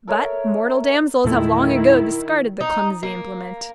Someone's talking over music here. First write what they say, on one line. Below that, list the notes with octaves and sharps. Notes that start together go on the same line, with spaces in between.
But mortal damsels have long ago discarded the clumsy implement.
A4 A#4 C#5 E5
E2 A#2 D#3 A3 E4
D#4
A#3